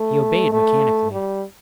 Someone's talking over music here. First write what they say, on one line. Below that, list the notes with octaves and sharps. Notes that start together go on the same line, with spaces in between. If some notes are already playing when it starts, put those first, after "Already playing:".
He obeyed mechanically.
Already playing: A3
A3
G3